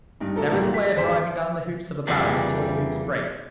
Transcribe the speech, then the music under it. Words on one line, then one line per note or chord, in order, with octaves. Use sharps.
There is a way of driving down the hoops of a barrel until the hoops break.
G2 D#4
B2 A3 A4 A#4
C2 A#2 D#3 E3 F#3
B6
G#1 E2 G#4 C5 B6
F2 C#3 E3 G3 A#3 D4